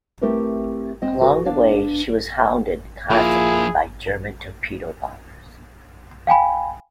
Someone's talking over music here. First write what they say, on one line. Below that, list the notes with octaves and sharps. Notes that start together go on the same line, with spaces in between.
Along the way she was hounded constantly by German torpedo bombers.
A3 C4 E4 G4 A#4 B4
C4 D#5
F#4 A4 B4
B3 D4 F5
F3 A#3 E4 F4 G#4
F5 G5 G#5 B5